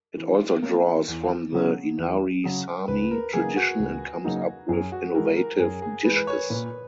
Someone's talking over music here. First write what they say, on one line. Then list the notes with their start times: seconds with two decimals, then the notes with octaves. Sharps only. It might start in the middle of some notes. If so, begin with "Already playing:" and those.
It also draws from the Inari Saami tradition and comes up with innovative dishes.
0.17 E3
0.62 A#3 C#4
1.08 E2
1.52 C#3 F#3 C#4 G#4
1.98 E2
2.44 C#3 F#3 C#4 G#4
2.88 C#2 B4
3.11 A#4
3.33 C#3 F#3 A#3 D#4 G#4
3.56 F#4
3.79 C#2
4.24 C#3 F#3 A#3 D#4
4.69 F#2 G#4
4.92 F#4
5.15 E3 G#3 A#4
5.37 A#4
5.60 F#2 G#4
5.82 G#4
6.05 E3 G#3 B4
6.16 B4
6.27 C#5
6.50 A#2 B4